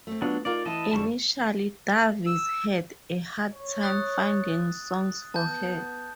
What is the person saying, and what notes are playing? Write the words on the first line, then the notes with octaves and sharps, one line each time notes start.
Initially Davis had a hard time finding songs for her.
A3 C4
F#3 B3 D4 F4
D#4 F4 A#4 D5
E3 E4 D#5 A5
F2 D3 G3 A5 B5 C#6
E6
C#5
D#6 F#6 A6
B3 A5 G6